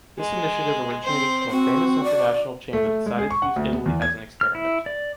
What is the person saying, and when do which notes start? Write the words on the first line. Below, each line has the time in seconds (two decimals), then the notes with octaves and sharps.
This initiative originated from a famous international chain that decided to use Italy as an experiment.
0.19 G#3
1.04 C4 C5
1.50 C4 F#4
2.04 D5
2.73 A3
2.87 A3
3.06 G#3
3.19 G#4
3.31 C#6
3.42 F#5
3.56 D2
3.72 B3
3.86 E2
4.02 G#6
4.41 F6
4.55 E4
4.86 D5